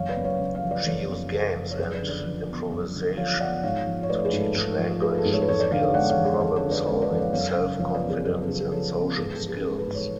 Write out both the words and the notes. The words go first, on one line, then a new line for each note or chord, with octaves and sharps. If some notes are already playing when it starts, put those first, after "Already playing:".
She used games and improvisation to teach language skills, problem-solving, self-confidence and social skills.
Already playing: F#1 C#5 F5
B4 D5
F#2
C#5 F5
C#3
C#5 F5
F3
B4 D5
F#1 A4 C#5
F#2
C#3 A4
F3
C#5
F#2 G#4 B4
B4 D5
D3
B4 D5
F3
B3
F#2
D3
F3 C#5 F5
B3 D5 F#5
G#2 C#5 F5
F3
C#5
A3 B4 D5
G#4 B4
G#2
A4
G#2 A4
F3
A3 G#4 B4
A4
G#2
A4 C#5
B4
F2 A4 C#5
B4 D5
D3 C#5 F5
C#5 F5
G#3 D5 F#5
C#5 F5
F2
G#4
F2 A4
A4 C#5
D3
B4 D5
G#3 B4 D5
B4 D5
F2
C#5 F5
F#2 C#5 F5
C#5 F5
C#3
F3 C#5 F5
B4 D5
B3
G#4 B4
F#2 G#4 B4
A4
C#3 G#4
G#4 B4
F3 A4 C#5
B3
G#2 G#4 B4
A4
F3
G#4 B4
G#3 A4
G#4 B4
G#2
A4 C#5